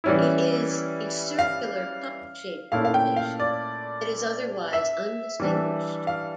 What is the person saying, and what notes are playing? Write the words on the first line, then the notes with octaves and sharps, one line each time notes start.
It is a circular, cup-shaped formation that is otherwise undistinguished.
E3 G3 C#4 E4
F5
A#2 A3 C#4 E4 F5
F5
G5
F5
D5
E5
E3 G3 D4
F5